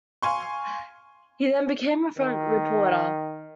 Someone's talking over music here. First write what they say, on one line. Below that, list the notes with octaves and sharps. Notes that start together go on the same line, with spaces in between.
He then became a front reporter.
F5 G#5 C6 C#6
D#3